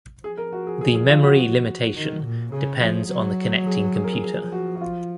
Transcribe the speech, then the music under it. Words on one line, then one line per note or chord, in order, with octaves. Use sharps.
The memory limitation depends on the connecting computer.
F3 G#4
A#4
F#4
G#4
G#4
G#4
F4
F#4
D#3
A#2
C#3 G#4
F3
F#3
G#4
G#4
A#4
G#4
F3 G#4
F#4
F#4
F4